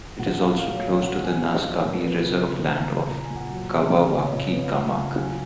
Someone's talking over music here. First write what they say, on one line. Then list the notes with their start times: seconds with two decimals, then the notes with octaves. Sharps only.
It is also close to the Naskapi reserved land of Kawawachikamach.
0.19 A#2 F#5
0.40 F#3 F5
0.60 F#3 F5
0.74 C#5
0.81 F#3
0.88 C#5
1.02 A#2 F#5
1.22 F3 G#5
1.43 F#3 F5
1.54 D#5
1.64 F#3 D#5
1.74 C#5
1.84 A#2 A#4
2.05 F3 B4
2.26 C#3
2.47 C#3
2.67 C#3 A#5
2.88 C#3
3.08 A#2 A#5
3.22 G#5
3.30 A#2
3.36 F#5
3.50 F#3
3.71 B2
3.92 C#3
4.01 D#5
4.12 C#3 B4
4.22 C#5
4.33 A#2 D#5
4.44 C#5
4.53 A#2 B4
4.64 F5
4.74 C#3 F#5
4.95 C#3 F5
5.16 F#3 G#5